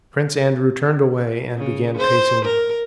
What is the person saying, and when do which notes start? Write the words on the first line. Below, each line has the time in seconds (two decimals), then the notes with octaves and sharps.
Prince Andrew turned away and began pacing the room.
1.57 C#3
1.97 C5
2.45 A#4